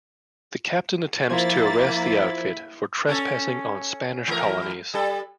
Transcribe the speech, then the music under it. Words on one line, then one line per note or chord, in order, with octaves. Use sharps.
The Captain attempts to arrest the outfit for trespassing on Spanish colonies.
F3 A#3 E4 C5 G#6 A6
C#4 A4
E3 A3 A#4
G3 A4